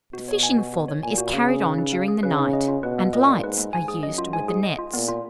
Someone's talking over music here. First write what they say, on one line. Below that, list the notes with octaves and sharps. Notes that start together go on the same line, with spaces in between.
The fishing for them is carried on during the night, and lights are used with the nets.
B2 F#4
C#5
G#5
F#4
F#4
C#5
A#2 G#5
F#4
C#3 F5
G#4
B4
D#4
F5
G#4
C#3 B4
D#4
D#5
F4
B2 B4
A#3
A#2 D#5
F4
G#2 B4
A#3
G#2 G#5
G#4
F#2 D#5
F4
G#2 G#5
G#4
D#5
F4
A#2 B3
F4